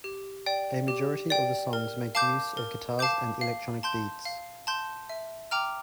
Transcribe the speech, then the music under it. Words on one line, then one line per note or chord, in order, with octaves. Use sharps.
A majority of the songs make use of guitars and electronic beats.
G4
D5 G5
G4
D5 G5
A#4
F5 A5 D6 G6
A#4
F5 A5 D6 G6
F5
A5 C6 G6
F5
A5 C6 G6
E5
G5 A#5 D6 F6